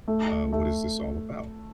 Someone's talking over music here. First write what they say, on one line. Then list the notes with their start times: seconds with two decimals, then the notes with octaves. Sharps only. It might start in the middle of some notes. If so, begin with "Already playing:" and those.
uh, what is this all about?"
0.08 A3
0.52 A3